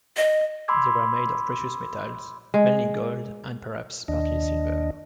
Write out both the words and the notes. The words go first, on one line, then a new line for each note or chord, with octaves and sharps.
They were made of precious metals, mainly gold and perhaps partly silver.
D#5
B5 C6 D6 E6 G#6
G#3
D#2 D4 D#5